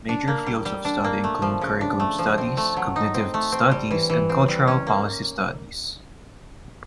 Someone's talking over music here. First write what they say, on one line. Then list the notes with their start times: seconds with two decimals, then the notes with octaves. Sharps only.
Major fields of study include curriculum studies, cognitive studies and cultural and policy studies.
0.09 D4
0.28 A#3
0.46 G3
0.65 G3
0.85 D4
1.04 A#3
1.24 A3
1.42 F3
1.61 C#3
1.81 D4
2.00 A3
2.19 F3
2.38 C4
2.57 A3
2.76 F#3
2.96 D#4
3.14 C4
3.34 A3
3.52 C4
3.71 G3
3.91 E3
4.10 E3
4.29 C4
4.48 G3
4.67 C#4
4.87 A#3